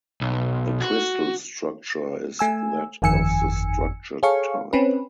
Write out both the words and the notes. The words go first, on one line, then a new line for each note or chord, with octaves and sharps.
The crystal structure is that of the structure type.
B1
F#4
A3 G#5 E6
G1 F2 D#3 G#5 E6 C#7
G#4 A4 C#5 F5 C#6
C4 C#4 B4